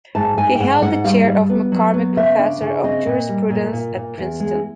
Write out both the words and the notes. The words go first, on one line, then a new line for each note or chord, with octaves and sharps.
He held the chair of McCormick Professor of Jurisprudence at Princeton.
G#2 A5
G#2 G#5
G5
G#2 F#5
G#2 F#5
G3 F5
G3
B3
F#3
B3
C#3 E5
D4
C#3
C4 D#5
A#2
G3
A#2
A#2
A#2
E2
G#3